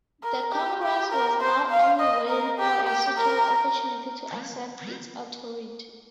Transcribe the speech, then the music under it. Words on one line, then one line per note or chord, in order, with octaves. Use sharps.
The Congress was now only waiting for a suitable opportunity to assert its authority.
A#4
G4
G4
A#4
C5
F5
D#5
A#4
G4
G4
A#4